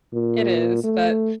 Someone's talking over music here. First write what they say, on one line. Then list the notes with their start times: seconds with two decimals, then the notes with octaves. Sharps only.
It is. But
0.14 A#2
0.84 A3